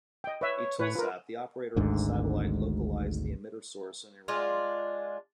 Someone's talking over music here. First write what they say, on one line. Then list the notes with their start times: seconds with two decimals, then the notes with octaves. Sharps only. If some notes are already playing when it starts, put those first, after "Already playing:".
Eutelsat, the operator of the satellite localised the emitter source in Iran.
0.24 D#5 G5
0.41 B4 C#5 E5
0.57 C#5
0.79 A2 B4 C#5
0.95 F4 A#4 B4
1.76 G#1 D2 G#2 D3
4.28 G#3 D4 F4